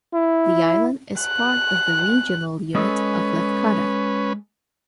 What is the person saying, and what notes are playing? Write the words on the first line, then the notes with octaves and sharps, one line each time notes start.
The island is part of the regional unit of Lefkada.
E4
F#6
G#3 C#4 G#4 A4 B4